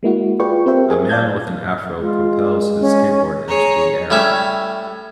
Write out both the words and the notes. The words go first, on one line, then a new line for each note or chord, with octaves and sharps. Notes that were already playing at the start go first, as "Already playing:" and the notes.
A man with an Afro propels his skateboard into the air.
G#3 A#3 E4 F#4
F4 G#4 B4 D5 G5 C#6
C4 G4 A#4 C5 E5 G5
G#4 A#4 G#5
D5 F5 A5 G6 G#6
G#3 F4
C#4
G#4 C#5 A#5
A2 G3 C#4 E5